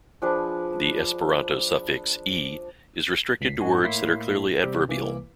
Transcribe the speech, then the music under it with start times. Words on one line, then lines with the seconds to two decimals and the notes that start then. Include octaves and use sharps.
The Esperanto suffix "-e" is restricted to words that are clearly adverbial.
0.22 F3 D4 G#4 B4
3.41 C#2 B6 C7
3.61 G#2 D4 F#4 G#5
3.83 A2 A#3 E4 C6 B6 C7
4.63 C3 G3 C4 G4
4.88 C2 E3 A#3 D6